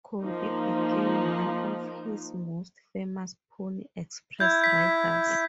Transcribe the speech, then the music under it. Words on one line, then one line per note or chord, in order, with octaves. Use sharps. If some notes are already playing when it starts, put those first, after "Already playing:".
Cody became one of his most famous Pony Express riders.
F3 A#3 D#4
E4 G6 G#6
G6 B6